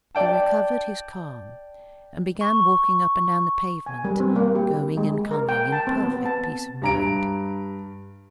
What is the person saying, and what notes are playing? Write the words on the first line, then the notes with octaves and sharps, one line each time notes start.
He recovered his calm, and began walking up and down the pavement, going and coming, in perfect peace of mind.
D5 G5 A5
C#6
G#5
G3
C4
A#3
G4
G#3
A#4
G5
A5
C4
B3
A5
G2 A#5 D7